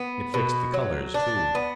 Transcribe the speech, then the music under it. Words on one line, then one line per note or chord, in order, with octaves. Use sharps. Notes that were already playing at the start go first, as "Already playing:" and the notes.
It fixed the colors, too.
Already playing: B3
B2
F#3
D4
B3